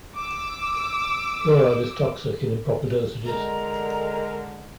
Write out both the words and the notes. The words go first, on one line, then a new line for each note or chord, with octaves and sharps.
Fluoride is toxic in improper dosages.
D6 E6
D3 G#3 A#4 A#5